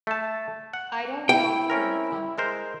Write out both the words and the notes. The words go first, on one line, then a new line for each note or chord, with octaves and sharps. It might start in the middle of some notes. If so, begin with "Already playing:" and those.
I don’t know if he will come.
A3 A5
F#5
E4 G5
C4 C#4 A#4
G#3 A#4 C5